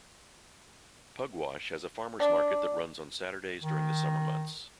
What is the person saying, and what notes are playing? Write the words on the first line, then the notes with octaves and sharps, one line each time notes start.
Pugwash has a farmers market that runs on Saturdays during the summer months.
D4
D#3